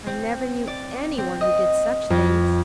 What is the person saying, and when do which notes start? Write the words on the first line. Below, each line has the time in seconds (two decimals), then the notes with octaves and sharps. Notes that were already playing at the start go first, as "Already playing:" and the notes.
"I never knew any one who did such things."
0.07 C4
0.67 D5
1.18 C4
1.41 D#5
2.10 F2